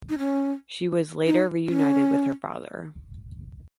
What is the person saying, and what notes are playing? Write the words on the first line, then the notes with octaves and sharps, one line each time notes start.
She was later reunited with her father.
D#4
C#4
D#4
C#4